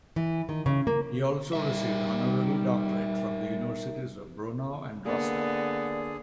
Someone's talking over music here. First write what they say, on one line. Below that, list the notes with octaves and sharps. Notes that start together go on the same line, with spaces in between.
He also received honorary doctorate from the universities of Brno and Rostock.
E3
D#3
C#3
A#3
G3 D#4 A#4 E5
D3 A#3 B3 G#4 D5